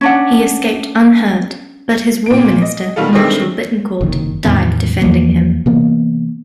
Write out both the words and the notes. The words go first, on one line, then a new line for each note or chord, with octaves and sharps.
He escaped unhurt, but his war minister, Marshal Bittencourt, died defending him.
C#4 D4 F#5
A#2 D7
D#5
B2 D#3 G3 F4 A4
D#3 G#3 A3 C4 D4
F#1 C3 D#3
E2 A2 D#3 B3
E2 E3 F3 A#3
C3 E3 A#3 B3